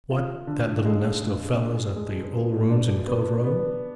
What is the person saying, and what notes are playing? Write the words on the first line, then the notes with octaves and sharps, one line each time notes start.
'What, that little nest of fellows at the "Old Rooms" in Cove Row?
F4
D3
G#3
G#3
D4
G#3
B2
D4
B3
B3